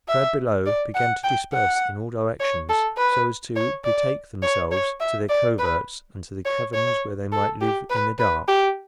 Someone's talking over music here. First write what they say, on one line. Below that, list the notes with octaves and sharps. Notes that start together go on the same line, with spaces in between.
The crowd below began to disperse in all directions, so as to betake themselves to their coverts and to the caverns, where they might live in the dark.
E5
D5
F#5
G5
F#5
C#5
A4
B4
C#5
D5
C#5
C#5
E5
D5
B4
C#5
C#5
A4
G4
B4
B4
G4